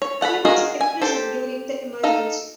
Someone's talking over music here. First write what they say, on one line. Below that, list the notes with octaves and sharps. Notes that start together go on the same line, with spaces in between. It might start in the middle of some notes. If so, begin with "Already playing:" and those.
He was imprisoned during the emergency.
C#5
A4 F#5 G#5 B5
F4 F#4 G#4 A#4 D#5
G#5
G4 A4 C5
D#4 A4 F5